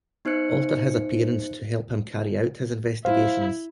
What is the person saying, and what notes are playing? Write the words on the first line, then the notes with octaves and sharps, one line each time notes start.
Alter his appearance to help him carry out his investigations.
B3 D#4 C5 F#6 C#7
E4 C5 F5